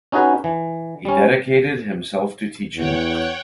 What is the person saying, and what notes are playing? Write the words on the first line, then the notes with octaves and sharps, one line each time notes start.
He dedicated himself to teaching.
C#4 D#4 F#4 G#4 B4
E3
G3 C#4
E2 C#5 F#5 G5